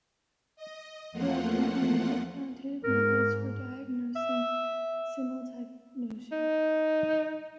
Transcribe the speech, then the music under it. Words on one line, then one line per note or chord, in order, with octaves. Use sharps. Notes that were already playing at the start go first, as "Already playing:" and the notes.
There are currently no quantitative methods for diagnosing simultanagnosia.
D#5
E2 F3 A3 A#3 F4 F#5
G#2 A#4
E5
D#4